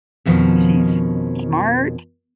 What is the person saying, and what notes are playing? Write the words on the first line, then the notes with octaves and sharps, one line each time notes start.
she's smart,
F2 B2 D#3 F3 C#4